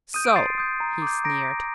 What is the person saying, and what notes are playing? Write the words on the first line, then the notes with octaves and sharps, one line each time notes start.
"So!" he sneered.
D#6 G6 D#7
D7
C6 A6 C7
D#6 G6
A#5
D6 G6
A#5 A#6 D7